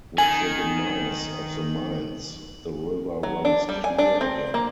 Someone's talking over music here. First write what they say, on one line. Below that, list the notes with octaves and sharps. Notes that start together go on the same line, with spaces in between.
With the demise of the mines, the river runs clear again.
D#3 G#5 F#7
F#3
D4
G3
G#5
D4
C4
A#3